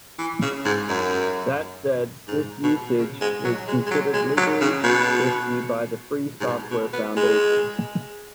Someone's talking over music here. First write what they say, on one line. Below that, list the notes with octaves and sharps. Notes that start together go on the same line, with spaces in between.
That said, this usage is considered legally risky by the Free Software Foundation.
E3
C#3
G#2
F#2
G#2
B2
C#3
G#3
F#3
G#3
G#3
F#3
G#3
F#3
C#3
B2
G#2
B2
B2
B3
G#3